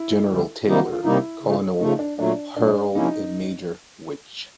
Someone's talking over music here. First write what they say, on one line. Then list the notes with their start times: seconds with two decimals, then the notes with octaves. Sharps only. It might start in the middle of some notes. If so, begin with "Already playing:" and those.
General Taylor, Colonel Harrold and Major Wich.
Already playing: E4
0.28 D2 D3 G3
0.66 C3 D#3 G3 A#3 D#4 F4
0.79 F#4
0.92 F4
1.04 C3 D#3 G3 A#3 D#4 E4
1.42 C#3 F3 A3
1.80 C#3 F3 A3 D#4
1.99 D4
2.19 A#2 F#3 A3 D4
2.57 A#2 F#3 A3 D4
2.94 C3 F3 A#3 C#4 D#4 E4